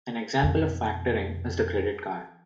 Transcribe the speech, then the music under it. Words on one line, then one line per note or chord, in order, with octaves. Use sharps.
An example of factoring is the credit card.
F2 B2